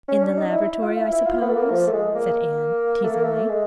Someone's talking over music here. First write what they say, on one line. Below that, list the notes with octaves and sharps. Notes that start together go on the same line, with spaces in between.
"In the laboratory, I suppose," said Anne teasingly.
C#4
D4
D#4
E4
F4
E4
E4
F4
B3
A3
A#3
F3
A3
G#3
A#3
A3
A#3
A3
G#3